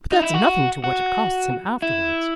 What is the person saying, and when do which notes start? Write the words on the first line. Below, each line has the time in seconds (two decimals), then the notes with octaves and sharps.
But that's nothing to what it costs him afterwards.
0.12 D#4
0.22 E4
0.34 F#4
0.84 F#4
1.82 E4